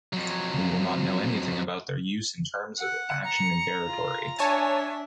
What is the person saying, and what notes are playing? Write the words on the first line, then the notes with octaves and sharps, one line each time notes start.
We will not know anything about their use in terms of action and territory.
F2 F#3
F#5
A#5 C#7
F4
D4 C#5 E5 G#5 A5